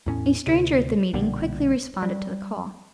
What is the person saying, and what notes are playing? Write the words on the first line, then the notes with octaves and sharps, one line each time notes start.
A stranger at the meeting quickly responded to the call.
E2 A2 C#4
D2 C3
B1 A#2 D3 G3
G3